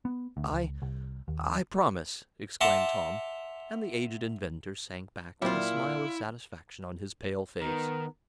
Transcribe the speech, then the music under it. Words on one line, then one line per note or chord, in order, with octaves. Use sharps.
"I--I promise!" exclaimed Tom, and the aged inventor sank back with a smile of satisfaction on his pale face.
B3
D2
C#2
C2
D#2
E5 F#5 A5 A#5 C6 D6
A#2 F#3 G3 C4 E4 F4
D#3 B3 A#4